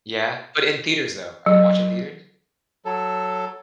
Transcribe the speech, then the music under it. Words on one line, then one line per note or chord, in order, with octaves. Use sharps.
Yeah. But in theaters, though, are you gonna watch in theaters?
F#3
F#3 A4